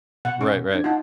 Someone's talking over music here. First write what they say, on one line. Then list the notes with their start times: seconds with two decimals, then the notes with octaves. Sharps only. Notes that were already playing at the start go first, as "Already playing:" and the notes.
Right, right.
0.25 B2 F#5
0.41 C#4
0.72 D4 G#6
0.84 D#4 F4 F#5 A5